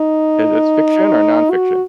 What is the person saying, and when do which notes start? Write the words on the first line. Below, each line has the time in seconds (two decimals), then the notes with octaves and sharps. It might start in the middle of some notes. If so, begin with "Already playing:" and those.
Is this fiction or nonfiction?
Already playing: D#4
1.50 F#4